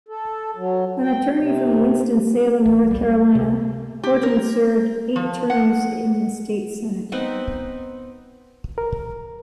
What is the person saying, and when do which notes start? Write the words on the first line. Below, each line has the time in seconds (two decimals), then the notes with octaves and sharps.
An attorney from Winston-Salem, North Carolina, Horton served eight terms in the state Senate.
0.09 A4
0.57 F#3
1.02 G5
1.38 C3
2.66 A1
2.91 C#2 G3
3.35 C3
4.04 G4
4.23 A#4
5.16 F3
5.50 F#5
7.12 B3 C4 D#4 B4
8.78 A#4